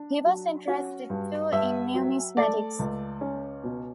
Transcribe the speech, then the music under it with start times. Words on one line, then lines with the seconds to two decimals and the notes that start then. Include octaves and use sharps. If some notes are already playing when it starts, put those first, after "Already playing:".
He was interested too in numismatics.
Already playing: D4
0.25 F#3
0.67 C#4 F#4
1.10 G2
1.52 G2 E5
1.94 F#3
2.37 A3 D5
2.79 C#2
3.21 C#4
3.64 B2